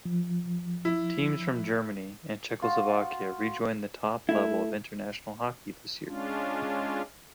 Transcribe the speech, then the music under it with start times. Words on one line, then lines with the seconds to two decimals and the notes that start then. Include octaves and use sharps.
Teams from Germany and Czechoslovakia rejoined the top level of international hockey this year.
0.05 F3
0.85 E4
2.62 F4 F#4
4.29 A3 E4
6.06 G#3 C#4 D4 F4